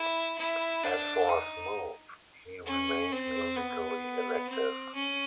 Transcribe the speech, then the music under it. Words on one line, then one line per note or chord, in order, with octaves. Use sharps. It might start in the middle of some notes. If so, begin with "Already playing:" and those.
As for Smooth, he remained musically inactive.
Already playing: E4
E4
D4
D#4
C#4
C4
B3
C4
C#4